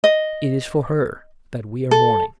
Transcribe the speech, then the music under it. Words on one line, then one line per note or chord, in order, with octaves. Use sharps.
It is for her that we are mourning.
D#5
A4